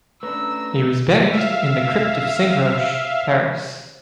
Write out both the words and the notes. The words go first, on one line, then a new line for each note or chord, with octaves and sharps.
He was buried in the crypt of Saint-Roch, Paris.
A3 C#4 D4 B4 A#5 E6
E5 F5